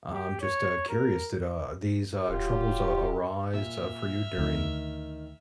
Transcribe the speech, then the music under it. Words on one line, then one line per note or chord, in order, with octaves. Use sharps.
I'm just, uh, curious, did, uh, these, uh, troubles, uh, arise, uh, for you during
G4
C#5
A#4
D#1 F#3 F4 G4
A#2 E5 F6
D2 D#3